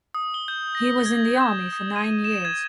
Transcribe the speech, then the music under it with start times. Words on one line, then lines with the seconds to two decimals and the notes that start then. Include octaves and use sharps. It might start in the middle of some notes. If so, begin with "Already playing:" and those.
He was in the army for nine years.
0.14 D#6
0.34 G7
0.48 G6
0.75 A#6
1.06 G#6
1.41 E7
1.73 D#6
1.96 D#7
2.24 E7
2.45 G#6